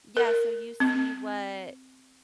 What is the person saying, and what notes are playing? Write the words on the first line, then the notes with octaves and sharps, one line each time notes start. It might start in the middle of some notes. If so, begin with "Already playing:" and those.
Yeah, so you see what
A#4
C4